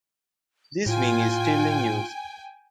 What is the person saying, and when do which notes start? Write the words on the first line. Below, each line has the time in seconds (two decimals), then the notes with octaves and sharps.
This wing is still in use.
0.86 A2 F4 G5 G#5